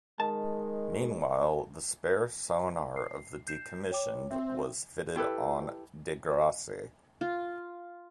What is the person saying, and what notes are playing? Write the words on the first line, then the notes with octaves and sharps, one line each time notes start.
Meanwhile, the spare sonar of the decommissioned was fitted on "De Grasse".
D#3 G#3 A5
C7
G6 C7 E7
C#5 G5 D6
C4 E5
E4 G4 A4 B4
F4